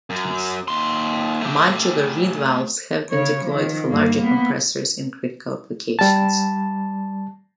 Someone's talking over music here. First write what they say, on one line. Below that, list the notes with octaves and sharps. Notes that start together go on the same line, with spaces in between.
Modular Reed Valves have been deployed for larger compressors in critical applications.
F#2
D#2 C6
A3 G4
C#3 C#5
D#3 F3
G2 A#3
A#3 B3
G3 A5